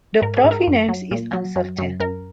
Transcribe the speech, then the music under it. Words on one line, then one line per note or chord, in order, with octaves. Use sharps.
The provenance is uncertain.
G#2 A#4
G#4
G#2
A#4
F#2
F#3
A#2
F#3
F#2
F#2
F#2 A#4